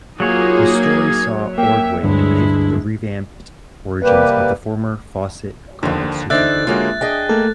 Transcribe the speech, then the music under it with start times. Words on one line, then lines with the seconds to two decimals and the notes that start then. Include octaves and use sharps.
The story saw Ordway depict the revamped origins of the former-Fawcett Comics superhero.
0.20 F#3 A#3 D#4 F4 G#4 C#5
0.75 G#6
1.58 A#3 E5 G5
2.03 D2 G2 G#3 D4 E4
4.03 C3 G3 A#3 G4 B4
5.83 D#2 D3 D#3 F3
6.30 D3 E3 D#4 C5 D5 E5 F#6 A6
6.67 D3 G#3 A#3 C#4 F4 F#4
7.01 D4 G#4 D#5 G5
7.29 A3 A#3 A4